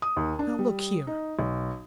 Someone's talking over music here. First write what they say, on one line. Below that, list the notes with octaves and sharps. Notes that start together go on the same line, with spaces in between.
Now, look here!
D#6
D#2
D4
G3
D#4
B1